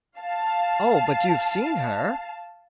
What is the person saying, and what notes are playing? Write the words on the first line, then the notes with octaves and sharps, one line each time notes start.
"Oh, but you've seen her."
F5 A5